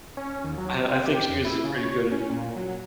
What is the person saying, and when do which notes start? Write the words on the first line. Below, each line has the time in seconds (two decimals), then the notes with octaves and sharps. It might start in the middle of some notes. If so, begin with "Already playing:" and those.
I I think she was, uh, pretty good in
0.17 C#4
0.44 D#2
0.58 F#3
0.86 C4
1.06 G4
1.29 F2
1.45 E4
1.64 C#3
1.77 C#5
2.12 C#4
2.29 A#2
2.56 F#3